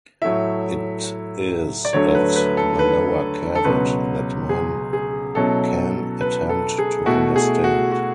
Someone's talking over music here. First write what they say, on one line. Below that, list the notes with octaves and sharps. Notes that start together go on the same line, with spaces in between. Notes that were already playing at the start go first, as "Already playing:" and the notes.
It is at the lower Kavod that man can attempt to understand.
A2 F#3 A3 E4 E5
D5
D2 D3 F#3 A3 C#5
B4
B4
A4
B4
A4
C#2 B2 F#3 B4
G#4
G#4
B2 F#3 C#4 E4 A4
B4
A4
G#4
B2 A3 E4 F#4
G#4
F#4
F#4